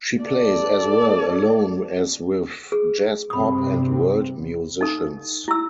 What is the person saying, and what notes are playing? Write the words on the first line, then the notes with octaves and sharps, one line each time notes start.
She plays as well alone as with jazz, pop, and world musicians.
A4 D5
G#4
G2 C3 C4 B5 D#6
D#4 A4
E4 E6